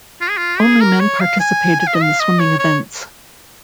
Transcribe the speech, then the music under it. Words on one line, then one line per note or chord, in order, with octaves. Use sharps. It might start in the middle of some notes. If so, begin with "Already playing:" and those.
Only men participated in the swimming events.
F4
G#4
F4
G#4
A#4
C#5
F5
G#5
G#5
F5
D#5
F5
D#5
C#5
C#5